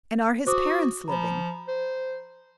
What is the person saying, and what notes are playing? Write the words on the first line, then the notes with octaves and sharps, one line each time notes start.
"And are his parents living?"
F#4 C5 D6 D#6
F3 A#5 B5
C5